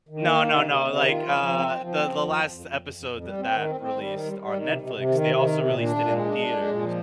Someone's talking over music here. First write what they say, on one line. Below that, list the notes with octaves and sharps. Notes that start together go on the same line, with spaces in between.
No, no, no, like, uh, the the last episode th that released on Netflix, they also released it in theaters.
D#3
A#3
D#3
C3
C3
C3
D#3
F4
F3
F3
C4
F3
F3
C4
F3
F2
F2
F2
F2
F2
F2
F2
G3
C4
D#3
C4
C4
G3
D#3
G3
G3
D#3
C3
C3
C3
D#3
C3
D#3
C3
A#2
D4
A#2
G#3
D4
D4
G#3
A#2
F3